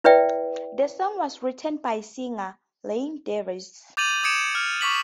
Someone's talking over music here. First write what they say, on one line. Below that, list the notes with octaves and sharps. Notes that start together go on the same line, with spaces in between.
The song was written by singer Lynn Davis.
E4 B4 D5 E5 G5
D6 G6 A6 D#7 F7 F#7
D6 D#6 G#6 C#7 D7 E7
F6
C#6 D6 B6 F#7